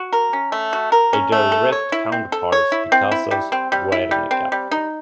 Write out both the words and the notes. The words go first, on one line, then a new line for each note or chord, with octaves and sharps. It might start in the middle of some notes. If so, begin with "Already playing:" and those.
A direct counterpart is Picasso's "Guernica".
Already playing: F#4
A#4
C#4
A3
F#4
A#4
C#4
A3
A4
C#5
E4
C4
A4
C#5
E4
C4
E4
G3
C4
G3
E4
G3
C4
G3
D#4